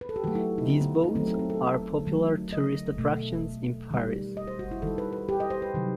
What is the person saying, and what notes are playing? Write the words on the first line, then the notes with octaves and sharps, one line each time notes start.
These boats are popular tourist attractions in Paris.
B4
A4
G4
D#3 F#3 A3 F#4
E4
D#4
C4
B3
D#4
D#3 F#3 A3 C4
C4
C4
A4
D#3 F#3 A3
D#5
B2 A3
D#3 G3
D#5
C5
F#4
E4
D#3 G3 A4
B4
B4
G4
D#5
C5
B4
C3 D#3 F#3